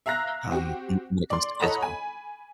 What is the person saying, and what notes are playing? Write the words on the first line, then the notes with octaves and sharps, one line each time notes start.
um, w when it comes to physical
E5 F5 A#5 F#6 A#6
C4 F#4 G4
D5 C6
A4 C#5 D#5 F#5 A#5 B5
G#5 B5